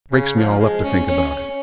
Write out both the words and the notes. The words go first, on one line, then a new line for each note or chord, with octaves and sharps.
It breaks me all up to think about it.
C#3
F3
F3
G#3
C#4
C#4